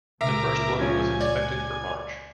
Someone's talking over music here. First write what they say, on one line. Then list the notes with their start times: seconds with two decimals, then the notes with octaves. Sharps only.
The first one was expected for March.
0.21 C#2 A#2 A#4 E5 A#5 D6
0.79 F3 C#4 F4 G#5
1.21 C#5 D5